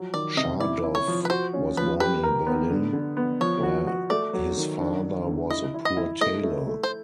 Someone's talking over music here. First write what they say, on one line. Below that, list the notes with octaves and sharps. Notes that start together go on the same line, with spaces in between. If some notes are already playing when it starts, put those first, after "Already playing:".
Schadow was born in Berlin, where his father was a poor tailor.
Already playing: F3 F#3
D#3 D5
C3 D#5
E4 D5
E4
C#5
F3
B4
F#4 C5
C#4
F3 B4
G4 B4
A#4
B3
D3
D3
B3
F3 C#5
F#4
F#4
A3 D5
F#3
D#3
D4
D4
D3
E4 D#5
E4
D#5
E4
A3 D#5
A3
A3
C5